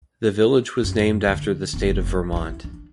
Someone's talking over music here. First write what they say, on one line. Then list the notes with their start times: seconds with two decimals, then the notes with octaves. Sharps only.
The village was named after the state of Vermont.
0.84 F#2
1.28 D3
1.73 F1 B3
2.33 D#4 E4
2.64 D4